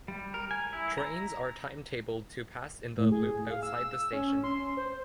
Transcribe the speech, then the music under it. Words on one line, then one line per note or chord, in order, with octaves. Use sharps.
Trains are timetabled to pass in the loop outside the station.
G3
A#4
G#5
E4
A#5
A2
G#4
F5
E6
C#4
C6
C5